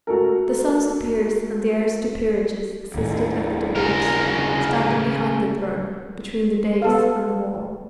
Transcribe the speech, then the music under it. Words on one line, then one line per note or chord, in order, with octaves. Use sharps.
The sons of peers and the heirs to peerages assisted at the debates, standing behind the throne, between the dais and the wall.
A3 F#4 A4 A#4
D#2 A2
C#3 A#4
B3 A4 F5